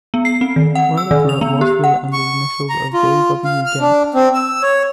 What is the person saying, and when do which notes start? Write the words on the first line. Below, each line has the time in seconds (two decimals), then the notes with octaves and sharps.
Worlidge wrote mostly under the initials of J. W., Gent.
0.14 B3
0.25 C7
0.41 C4
0.56 D#3
0.75 F#5
0.97 E6
1.11 D#3
1.29 F7
1.41 B3
1.61 G4
1.84 F#5
2.13 C#6
2.70 A#5
2.94 F4
3.45 F5
3.66 F6
3.81 D4
4.14 C4
4.34 E6
4.62 C#5